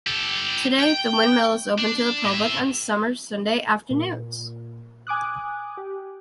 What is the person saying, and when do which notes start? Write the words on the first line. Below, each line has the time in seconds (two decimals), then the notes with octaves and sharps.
Today the windmill is open to the public on Summer Sunday afternoons.
0.07 G4 A4
0.79 G5
1.78 D4
2.24 A2 E5
3.91 A#2
5.07 G#5 D6 D#6 F#6
5.77 G4